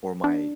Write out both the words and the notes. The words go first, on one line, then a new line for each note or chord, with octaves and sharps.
or my
D4